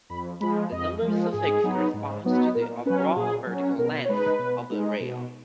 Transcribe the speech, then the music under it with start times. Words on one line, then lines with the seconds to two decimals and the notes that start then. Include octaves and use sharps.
The number suffix corresponds to the overall vertical length of the rail.
0.10 F2 B5
0.41 F3 G#3 B5
0.72 F2 D#5
1.02 F3 G#3
1.32 G#2 G#4
1.64 F#3 B3 D#4
1.94 G#2
2.24 F#3 B3 D#4
2.55 A#2 A#4
2.86 F#3 C#4 B4
3.16 A#2 G#4
3.47 F#3 C#4
3.78 B2 A#4
4.05 C#5
4.09 G#3 D#4 B4
4.39 B2
4.70 G#3 D#4
5.00 B2